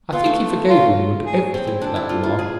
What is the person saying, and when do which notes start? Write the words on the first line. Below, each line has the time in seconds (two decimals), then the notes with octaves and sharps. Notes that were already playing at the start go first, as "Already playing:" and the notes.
I think he forgave Winwood everything for that remark.
0.13 B3 F4
0.26 A3
0.69 F4
1.26 G#4
1.54 C4
1.67 E4
1.82 D4 A4
1.96 E4
2.09 F4
2.24 F4
2.39 G#4